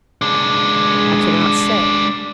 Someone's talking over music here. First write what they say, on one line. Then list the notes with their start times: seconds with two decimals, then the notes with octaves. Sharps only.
I cannot say.
0.22 G#3 D4